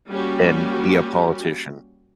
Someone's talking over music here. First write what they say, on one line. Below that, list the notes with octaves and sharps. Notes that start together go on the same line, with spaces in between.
than be a politician.
G3 A#3 C#4 F#4 G4